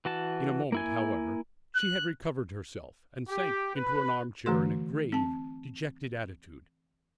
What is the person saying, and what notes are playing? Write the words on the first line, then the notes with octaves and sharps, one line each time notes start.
In a moment, however, she had recovered herself, and sank into an armchair in a grave, dejected attitude.
E3 F#4 A5
A#3 E4 G#5
F#6
G4
B4
D3 E3 A3 F#4 C6
C4 A5